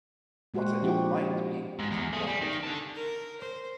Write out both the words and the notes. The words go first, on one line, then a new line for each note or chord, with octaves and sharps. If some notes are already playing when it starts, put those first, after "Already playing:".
But I don’t mind being beaten by Edie.
A#2 G#3 F#4 G4 C5 F#5
F3 C4 D4 E4 F#4 G4
G#2
E2
A3 G#4
G3
D#3
D3 A5
A#4
C5